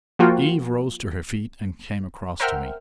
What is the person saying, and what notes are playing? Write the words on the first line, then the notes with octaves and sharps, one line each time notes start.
Eve rose to her feet and came across to me.
F3 A#3 F4 F#4 G5
A#4 C5 E5 F#5 G5 F6